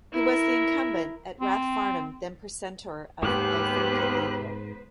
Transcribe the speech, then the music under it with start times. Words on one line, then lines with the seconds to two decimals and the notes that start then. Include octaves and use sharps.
He was the incumbent at Rathfarnham then Precentor of Elphin Cathedral.
0.13 E4 A#4
1.40 C4
3.23 D#2 G#2 B3 G4 B4 C5 F#6